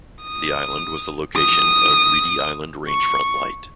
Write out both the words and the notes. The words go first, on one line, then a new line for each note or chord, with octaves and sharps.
The island was the location of Reedy Island Range Front Light.
D#6
D#6
C#6